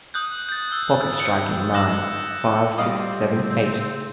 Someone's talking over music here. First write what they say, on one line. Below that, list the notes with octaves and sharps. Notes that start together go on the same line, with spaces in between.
The clock is striking nine; five, six, seven, eight!
D#6 F#6 G6
G6 A6
E6
C#7
E6 F#6 A#6 E7 F#7
G3 C4 D5 D#5 F5 D#6
C#3 A3